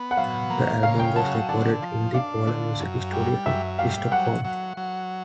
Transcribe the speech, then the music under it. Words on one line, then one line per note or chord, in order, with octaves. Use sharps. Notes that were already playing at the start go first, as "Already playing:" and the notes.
The album was recorded in the Polar Music Studios in Stockholm.
Already playing: B3
F#5
F#3 F5
A#3
C#3 F5
G5
F#3 A5
D3 A5
F3
D4 F5
D3
F#2
G3
F#2 E5
G3 F5
F#3 F#5
F#3
F#3